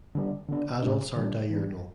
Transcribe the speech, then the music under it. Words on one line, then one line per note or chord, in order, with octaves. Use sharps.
Adults are diurnal.
D3 G3 D4
D3 B3 D4
A2 A3 D4
D3 G3 D4
E3 B3 D4